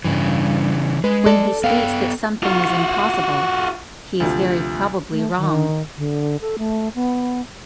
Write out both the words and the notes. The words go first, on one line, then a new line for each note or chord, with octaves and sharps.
When he states that something is impossible, he is very probably wrong.
G2 C#3 E3
G#3 B4
A4 D5
B3 A4 F5 G5
F4 F#4
D2 C3 F3
A3
D#3
D3
A4
A3
B3